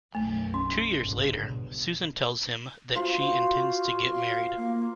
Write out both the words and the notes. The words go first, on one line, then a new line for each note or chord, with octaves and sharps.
Two years later, Susan tells him that she intends to get married.
B1 F#2 A3
C#4
G1 C#2 G#2
B2
F4 F#4 C5
F5
A#3